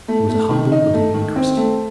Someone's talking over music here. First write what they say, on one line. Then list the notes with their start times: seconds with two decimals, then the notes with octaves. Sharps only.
She was a humble, believing Christian.
0.08 A3
0.29 A3
0.50 D#3
0.72 D#4
0.94 A3
1.14 D#3
1.36 C4
1.57 A3